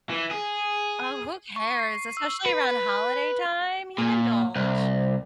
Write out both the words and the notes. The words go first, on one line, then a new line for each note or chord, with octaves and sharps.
Oh, who cares? Especially around holiday time, you indulge.
E3
G#4
C#6
C7
C7
E6
B4
A#2
C2